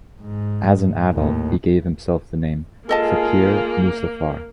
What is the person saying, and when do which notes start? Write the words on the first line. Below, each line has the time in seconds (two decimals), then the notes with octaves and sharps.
As an adult he gave himself the name "Fakir Musafar".
0.21 G#2
1.13 D#2 A2
2.89 G#3 A#3 F4 G#4 A4 D#5 A5